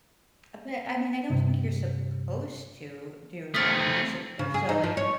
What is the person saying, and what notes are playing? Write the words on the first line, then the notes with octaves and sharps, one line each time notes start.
Uh, but, I mean, I don't think you're supposed to do I mean, you're sup if so, like,
G2 C3
A3 C4 D#6 F6 A6
C#3
G#4
D#4
F3
C#5